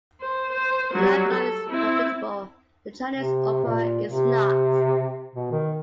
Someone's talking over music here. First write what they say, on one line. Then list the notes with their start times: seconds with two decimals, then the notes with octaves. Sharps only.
The nightclub is profitable; the Chinese opera is not.
0.21 C5
0.52 C5
0.93 F#3 G3
1.28 A4
1.69 C4 E4
3.16 C3
3.65 A#2
4.11 C3
5.36 B2
5.52 D#3